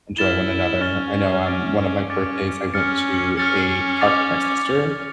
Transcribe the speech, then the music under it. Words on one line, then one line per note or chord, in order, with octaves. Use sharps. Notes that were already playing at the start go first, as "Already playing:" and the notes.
enjoy one another. I know, um, one of my birthdays, I went to a park with my sister,
E4 F6 A6 E7 G7
C#4 F6 A6 E7 G7
D6 A6 D7
C#4 D6 A6 D7
C#4 F6 A6 C#7
C#4 F6 A6 C#7
D6 A6 C#7 F7
C#4 D6 A6 C#7 F7